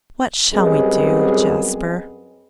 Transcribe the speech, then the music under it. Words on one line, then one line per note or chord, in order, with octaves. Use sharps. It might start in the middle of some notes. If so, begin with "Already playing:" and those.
'What shall we do, Jasper?'
F#2 G3 B3 C4 G#4 D#5